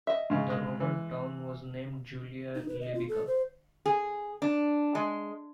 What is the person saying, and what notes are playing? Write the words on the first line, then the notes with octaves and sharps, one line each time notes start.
The Roman town was named Julia Libyca.
D#5 E5
G#2 C#3
G#3
E3
D#4
B4
D#5
F4
A4
C5
G#4
D4
G#3